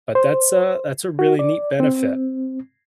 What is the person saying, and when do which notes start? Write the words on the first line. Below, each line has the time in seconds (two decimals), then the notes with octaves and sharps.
But that's a that's a really neat benefit.
0.15 C5
1.19 F#4
1.39 D5
1.80 C4